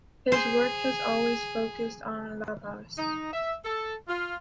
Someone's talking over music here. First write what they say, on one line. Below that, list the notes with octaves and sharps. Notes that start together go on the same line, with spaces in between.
His work has always focused on La Paz.
G#4 C5
D#4
E5
A4
F4